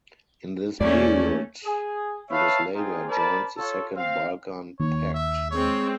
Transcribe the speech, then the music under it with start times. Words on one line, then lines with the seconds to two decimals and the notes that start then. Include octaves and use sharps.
In this period Yugoslavia joined the Second Balkan Pact.
0.81 E2 A3 A#3 C#4 D5
1.63 G#4
2.29 B4 C#5 E5 F5 A5
2.75 C4 D#4 F4 G#4
3.08 A#4 C5 D5 A5 B5
3.58 F4 A4 C#5
3.95 C4 F5
4.80 D#2 C#5
5.14 E5
5.51 G#3 C4 C#5